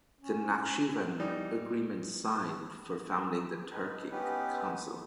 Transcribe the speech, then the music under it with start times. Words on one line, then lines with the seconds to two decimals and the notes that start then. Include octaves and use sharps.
The Nakhchivan Agreement signed for founding the Turkic Council.
0.21 C#4
1.20 E3 G3 D#4
3.73 D#4 B4
4.11 B3 C#4 D#4 G4 B4